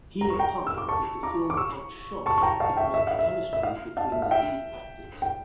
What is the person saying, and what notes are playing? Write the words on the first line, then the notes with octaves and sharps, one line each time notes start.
He opined that the film outshone because of chemistry between the lead actors.
A#5
C#6
G5 A#5
E6
D6
A5 C#6
A#5 D6
D6
C#6 E6
A5 C#6
C#6
G5 A#5
F5 A5
E5 G5
E5
F5
E5
E5
F5
F5 A5
E5
F5
E5 G5
G5